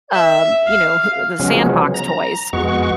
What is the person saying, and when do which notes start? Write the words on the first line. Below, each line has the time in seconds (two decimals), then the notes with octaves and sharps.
um, you know, who the sandbox toys,
0.13 E5
0.67 F5
1.40 C#3 F3 F#3 G#3 B3 C#4
1.94 A#5
2.53 F2 G#3 B3 F#4 C#6